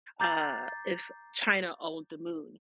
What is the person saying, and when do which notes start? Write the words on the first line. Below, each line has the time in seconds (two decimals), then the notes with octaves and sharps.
uh, if China owned the moon,
0.20 A#5 D6 G6 A6 C7